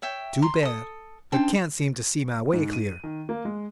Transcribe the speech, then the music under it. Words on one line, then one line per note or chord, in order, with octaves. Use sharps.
Too bad; but can't seem to see my way clear.
C#5 E5 G5
A#5 C6
A4 D#6
C#4 D4 C5 G5 A5
G#2
D#7
D#3
A#3
G#3